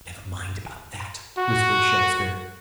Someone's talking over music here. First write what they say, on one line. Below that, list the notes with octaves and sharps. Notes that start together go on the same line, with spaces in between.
"Never mind about that," whispered Shakespeare.
F#4